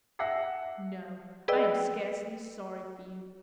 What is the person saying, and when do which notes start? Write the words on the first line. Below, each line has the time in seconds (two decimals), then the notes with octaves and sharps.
No; I am scarcely sorry for you.
0.19 E5 F#5 E6 A#6 C7
1.48 G#4 B4 D5 D#5 G5 E6